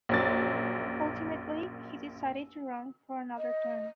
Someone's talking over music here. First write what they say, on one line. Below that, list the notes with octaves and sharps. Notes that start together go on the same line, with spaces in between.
Ultimately he decided to run for another term.
A#1 F#2 A6
D#5